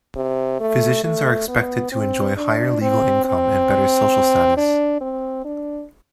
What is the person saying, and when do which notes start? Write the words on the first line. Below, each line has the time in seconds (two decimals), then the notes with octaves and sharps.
Physicians are expected to enjoy higher legal income and better social status.
0.16 C3
0.60 A3
1.04 A3
1.48 B3
1.92 C4
2.37 D4
2.81 C4
3.25 C4
4.57 D4
5.01 C4
5.45 D4